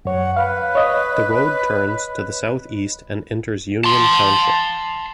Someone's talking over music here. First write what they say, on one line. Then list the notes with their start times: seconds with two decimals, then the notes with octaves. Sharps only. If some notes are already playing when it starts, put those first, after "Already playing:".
The road turns to the southeast and enters Union Township.
0.05 F#2 C#5 F#5
0.37 B4 F5
0.75 C#5 D#5
3.84 A5 C6